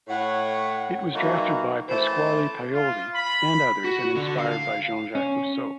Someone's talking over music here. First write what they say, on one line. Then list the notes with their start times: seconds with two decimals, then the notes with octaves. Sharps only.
It was drafted by Pasquale Paoli and others and inspired by Jean-Jacques Rousseau.
0.08 A2 C#5 F#5
1.13 B2 D#3 E3 F#3 A#3 D#4
1.88 E3 A3 C#4 A4 C5
2.73 F4
3.15 B5
3.84 F#4
4.16 D3
4.39 F5
5.15 C#4